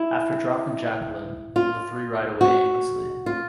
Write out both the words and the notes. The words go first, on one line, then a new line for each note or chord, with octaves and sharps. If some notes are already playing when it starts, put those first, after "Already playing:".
After dropping Jacqueline, the three ride away aimlessly.
Already playing: E4
F4
F#4
F4